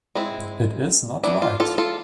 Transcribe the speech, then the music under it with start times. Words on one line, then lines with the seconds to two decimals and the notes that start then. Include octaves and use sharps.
It is not right!
0.15 G#3 C4 E4
1.24 E3 B3 D4 E4
1.42 F4
1.60 F4 A4
1.78 F4 A4